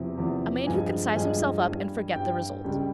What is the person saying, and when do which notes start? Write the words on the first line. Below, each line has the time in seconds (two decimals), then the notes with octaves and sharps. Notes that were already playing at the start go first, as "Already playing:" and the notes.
A man who can size himself up and forget the result.
Already playing: E2 C3 F3
0.17 E2 C3 F3
0.67 G2 F3 G#3 G#5
1.16 G2 F3 G#3 G#5
1.65 G2
1.70 G3
2.14 G2 G3 G5
2.64 C#2 C#3 G3